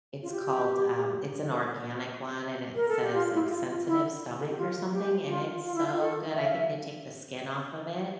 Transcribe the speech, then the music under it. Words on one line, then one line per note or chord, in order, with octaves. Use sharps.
it's called, um it's an organic one and it says, like, sensitive stomach or something, and it's so good. I think they take the skin off of it
F4
G4
A#4
A4
G4
F4
E4
G4
F4
F4
E4
A4
G4
F4
G4
F4
F4
E4
F4
A4
E5
F5
E5